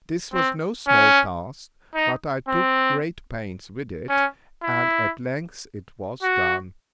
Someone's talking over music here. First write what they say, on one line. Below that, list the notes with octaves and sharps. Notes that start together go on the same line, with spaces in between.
This was no small task, but I took great pains with it, and at length it was done.
C4
C#4
D#4
C4
C#4
E4
F#4